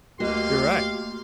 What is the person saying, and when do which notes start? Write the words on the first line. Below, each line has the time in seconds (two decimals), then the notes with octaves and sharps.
You're right.
0.20 D2 A#3 F#4 G4 D#5 F5 C6